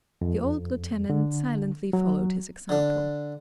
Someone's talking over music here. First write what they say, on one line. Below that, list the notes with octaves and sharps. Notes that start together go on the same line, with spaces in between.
The old lieutenant silently followed his example.
F2
D3
F#3
D3 D4